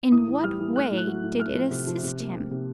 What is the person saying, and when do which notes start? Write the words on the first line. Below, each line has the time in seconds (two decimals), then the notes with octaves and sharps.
In what way did it assist him?
0.12 A2 D#6
0.28 E3
0.43 G3 F6
0.59 E3
0.76 A3 F#6
0.91 A2
0.97 F#6
1.07 F#3
1.23 A2
1.39 A3 F6
1.55 F3
1.71 C3
1.87 F3
2.03 C3
2.19 A#3
2.35 C3
2.51 C3